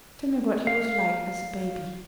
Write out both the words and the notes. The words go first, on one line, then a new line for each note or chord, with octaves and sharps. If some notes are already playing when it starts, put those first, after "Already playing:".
Tell me what he was like as a baby.'
F5